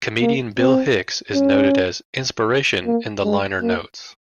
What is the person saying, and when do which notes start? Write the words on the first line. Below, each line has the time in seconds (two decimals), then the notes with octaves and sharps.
Comedian Bill Hicks is noted as "inspiration" in the liner notes.
0.21 A#3
0.59 C4
1.35 C#4
2.85 A#3
3.24 G#3
3.62 A#3